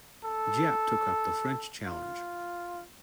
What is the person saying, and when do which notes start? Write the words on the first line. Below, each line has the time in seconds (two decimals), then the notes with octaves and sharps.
Giap took up the French challenge.
0.24 A4
1.86 F4